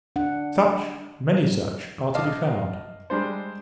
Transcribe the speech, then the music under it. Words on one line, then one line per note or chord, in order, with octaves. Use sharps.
Such, many such, are to be found.
D4 F#5
D#5 F5 A5 D6
G3 G#3 D4 C5